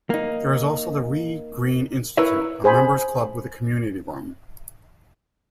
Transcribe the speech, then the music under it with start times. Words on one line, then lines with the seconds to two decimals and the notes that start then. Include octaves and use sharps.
There is also the Wrea Green Institute, a members club with a community room.
0.10 A#3 D#4
2.17 E4 A#4 B4 C#5 E5
2.64 G#4 C5 G#5 B5